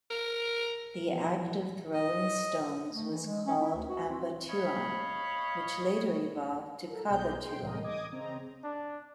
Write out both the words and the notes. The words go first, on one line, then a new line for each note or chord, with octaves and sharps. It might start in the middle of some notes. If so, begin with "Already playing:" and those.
The act of throwing stones was called "ambatuan" which later evolved to "cabatuan".
A#4
E2 B2 E3 F3
D#5
A3
E3
G#3
C#4
E4
D2
F#4
C4
C#5 D#5 F5 B5
A4 A#4
B1 B2 G#4 D5 A#5 G6
G5 C6
C2 A2 E3 G#3 A#4 D#5
D#5 D6 D#6 G#6
C#3 C4 D#5 A#5
D4